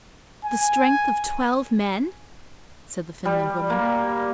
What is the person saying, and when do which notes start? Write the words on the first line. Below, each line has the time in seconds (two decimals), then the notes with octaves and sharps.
"The strength of twelve men!" said the Finland woman.
0.45 G#5
3.25 G3
3.70 A#3